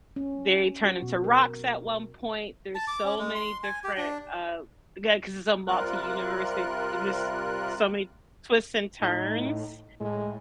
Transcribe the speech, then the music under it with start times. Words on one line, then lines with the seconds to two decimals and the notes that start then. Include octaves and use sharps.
they turn into rocks at one point. There's so many different, uh again, 'cause it's a multi-universe, they they just so many twists and turns
0.16 C#4
0.85 F#4
1.02 B2
1.24 A#4
2.75 A5
2.88 D6
3.05 C#4
3.19 G#3
3.35 C6
3.63 G#5
3.84 G4
3.97 D4
5.67 C3 G3 F4 A#4 F#6
9.01 A2 D#4
10.00 A2 G#3